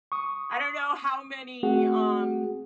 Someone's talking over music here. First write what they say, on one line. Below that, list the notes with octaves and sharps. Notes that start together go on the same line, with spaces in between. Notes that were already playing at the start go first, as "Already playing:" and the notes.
I don't know how many, um
C#6 D#6
A3 C4 F#4 G#4 F#5